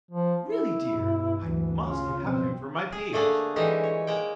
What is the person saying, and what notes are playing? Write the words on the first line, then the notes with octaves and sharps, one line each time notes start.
Really, dear, I must have him for my page.
F3
E4
G2 B2
D2 E3
C#3 F4
B2 F3 C4
G#4
D3 A3 A#3 D4 G#4
D3 E3 G3 G#3 D#4
C#5
G#3 A#3 G5